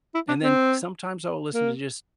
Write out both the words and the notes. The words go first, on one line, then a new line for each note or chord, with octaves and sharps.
And then sometimes I'll listen to just,
E4
D4
C4
A#3